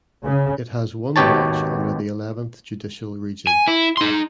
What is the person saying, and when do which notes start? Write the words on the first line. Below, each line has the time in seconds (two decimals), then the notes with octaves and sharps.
It has one branch under the Eleventh Judicial Region.
0.24 C#3
1.16 G#1 D#2 B2 G4 C#5 A5
3.47 G#5
3.68 E4
3.97 D#4 C6